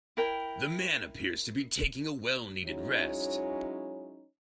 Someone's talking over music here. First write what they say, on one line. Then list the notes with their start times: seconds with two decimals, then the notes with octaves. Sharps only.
The man appears to be taking a well needed rest.
0.17 E4 A#4 G5
2.65 F#3 G#3 C#4 D#4 E4 C#5